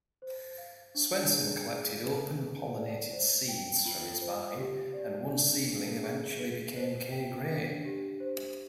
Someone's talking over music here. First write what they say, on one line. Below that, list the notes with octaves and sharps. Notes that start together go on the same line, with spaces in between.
Swenson collected open-pollinated seeds from this vine, and one seedling eventually became Kay Gray.
C5
F5
D4
G#4
G#4
B4
G#4
D5
C5
G5
F4
C5
G4
D5
D4
G#4
G#4
B4
C5
G5
D4
G4
C5